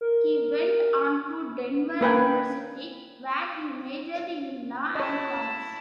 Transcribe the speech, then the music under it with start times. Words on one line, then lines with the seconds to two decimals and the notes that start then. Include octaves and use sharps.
He went on to Denver university, where he majored in law and commerce.
0.01 A#4
2.01 A#3 B4 G5 G#5
4.95 E4 C#5 D#5 A5